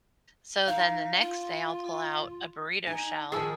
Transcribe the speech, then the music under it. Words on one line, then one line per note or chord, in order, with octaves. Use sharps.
So then the next day, I'll pull out a burrito shell,
D#4 F5
F4
D#4 G#5
D#3 F3 G#4 A5 E6